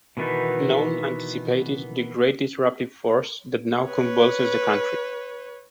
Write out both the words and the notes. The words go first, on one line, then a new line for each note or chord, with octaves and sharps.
None anticipated the great disruptive force that now convulses the country.
B2 D#3 E3 B3 D#4
B4 C#5